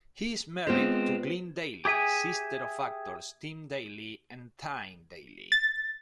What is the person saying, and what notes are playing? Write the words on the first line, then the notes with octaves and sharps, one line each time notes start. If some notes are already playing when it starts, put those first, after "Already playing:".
He is married to Glynn Daly, sister of actors Tim Daly and Tyne Daly.
G#3 B3 C4 F4 C5
G4 G#4 E5 G#5
A6